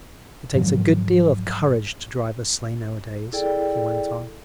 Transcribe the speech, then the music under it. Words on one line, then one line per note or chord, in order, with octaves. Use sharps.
"It takes a good deal of courage to drive a sleigh nowadays," he went on.
G#2 D#3 F3 F#3
E4 G#4 A4 D5 G5